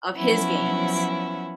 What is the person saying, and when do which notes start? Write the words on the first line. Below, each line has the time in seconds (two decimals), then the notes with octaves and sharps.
of his games.
0.15 F3 F#3 B3 C#4 E4 F#5